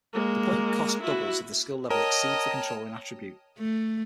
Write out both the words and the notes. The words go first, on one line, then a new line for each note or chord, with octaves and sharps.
The point cost doubles if the Skill level exceeds the controlling Attribute.
G#3 A#3
E4 F#4
A#4 C#5 D#5 G5 A5
A3